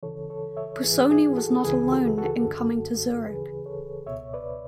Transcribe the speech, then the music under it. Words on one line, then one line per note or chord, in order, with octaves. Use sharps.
Busoni was not alone in coming to Zurich.
D2 C#3 E3 A4 C#5
A4 C#5
C#5 E5
G#2 E3 G#4 B4
E4 G#4
F#4 A4
A4
C#2 C#3 E3 G#4 B4
F#4 A4
F#4 A4
F#2 D3
D2 C#3 E3 G#4 B4
A4 C#5
C#2 B2 C#5 E5
B4 D5